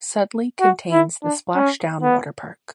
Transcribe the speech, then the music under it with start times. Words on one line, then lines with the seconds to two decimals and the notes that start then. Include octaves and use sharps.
Sudley contains the Splash Down Waterpark.
0.61 F#4
0.92 E4
1.23 D4
1.55 C#4
2.02 B3